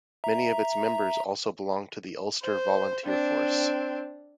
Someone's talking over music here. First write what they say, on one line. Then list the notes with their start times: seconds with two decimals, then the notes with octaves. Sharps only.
Many of its members also belonged to the Ulster Volunteer Force.
0.24 E5 A#5
2.42 C5
3.05 C4 D4